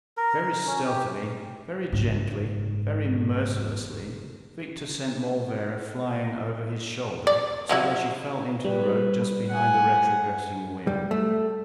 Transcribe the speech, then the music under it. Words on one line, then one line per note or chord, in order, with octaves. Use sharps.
Very stealthily, very gently, very mercilessly Victor sent Morlvera flying over his shoulder, so that she fell into the road just behind the retrogressing wheel.
A#4
C#4
G4
F#1 G#2
D5
F3 F#3 E4
G3 B4
F#5 G#5
G3
A3